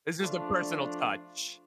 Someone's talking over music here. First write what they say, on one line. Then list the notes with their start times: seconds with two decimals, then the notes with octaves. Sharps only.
It's just a personal touch.
0.18 F3 A3 D4 F4